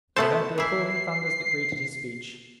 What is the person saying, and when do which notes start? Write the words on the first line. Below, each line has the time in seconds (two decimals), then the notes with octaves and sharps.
They heard the applauding thunders that greeted his speech.
0.16 A3 B3 A4 C5 F#5 A5
0.58 E3 E4 C7